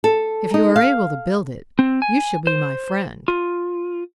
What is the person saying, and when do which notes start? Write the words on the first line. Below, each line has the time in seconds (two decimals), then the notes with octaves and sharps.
If you are able to build it you shall be my friend.
0.04 A4
0.54 D#4
0.76 F5
1.79 C4
2.02 G#5
2.47 C5
3.28 F4